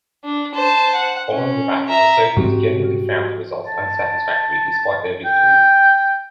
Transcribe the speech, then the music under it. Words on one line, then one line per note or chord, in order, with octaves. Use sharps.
Following the battle, the Soviets generally found the results unsatisfactory, despite their victory.
D4
C5 A5
F#5
C#4
E5 A#5
G#2 G3 C4 F#4 G4
A5
G5